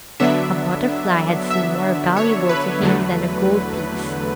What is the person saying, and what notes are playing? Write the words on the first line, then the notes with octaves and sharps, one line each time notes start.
A butterfly had seemed more valuable to him than a gold piece.
D3 F#3 B3 D4 E5
E5
C#5
B4
E2 D3 F#3 A3